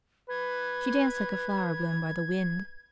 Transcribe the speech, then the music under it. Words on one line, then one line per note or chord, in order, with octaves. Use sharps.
She danced like a flower blown by the wind.
B4 G#6